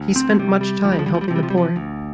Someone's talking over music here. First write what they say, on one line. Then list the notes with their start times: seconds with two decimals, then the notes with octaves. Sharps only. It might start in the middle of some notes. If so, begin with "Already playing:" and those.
He spent much time helping the poor.
Already playing: D2
0.16 C4
0.30 A3
0.39 C3 G3
0.61 G3
0.84 D2 F3
0.92 G3
0.99 F3
1.06 G3
1.14 F3
1.21 G3
1.28 C3 F3
1.36 G3
1.43 F3
1.50 G3
1.57 F3
1.76 D2